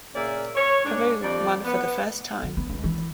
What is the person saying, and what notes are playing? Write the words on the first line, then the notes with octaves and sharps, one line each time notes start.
Peru won for the first time.
A#2 C#3 A#3 D5 E5
C#5
G#2 D4
F2 G3 D5
B3
D3
B3
C#2
E3